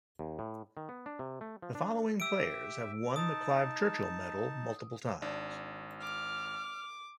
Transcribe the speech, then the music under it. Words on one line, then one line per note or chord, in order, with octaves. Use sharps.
The following players have won the Clive Churchill Medal multiple times.
D#2
A2
D#3
B3
D4
C3
A3
F3
D4
G4 E5 E6 D7
D#4 A5 D#6
G#1 D4
D6 F6